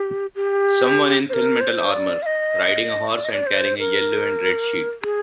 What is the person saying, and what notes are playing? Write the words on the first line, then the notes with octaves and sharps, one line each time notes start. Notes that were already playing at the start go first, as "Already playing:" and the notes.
Someone in thinmetal armor, riding a horse and carrying a yellow and red shield.
Already playing: G4
G4
C5
A#4
C5
D5
F5
D#5
D5
D#5
D5
C5
A#4
G#4